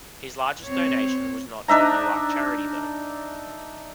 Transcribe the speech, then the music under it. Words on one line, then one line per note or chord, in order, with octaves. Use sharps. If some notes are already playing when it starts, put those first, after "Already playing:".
His largest donation was not to a Newark charity though.
C4 C#5
D4 D#4 E5 A#5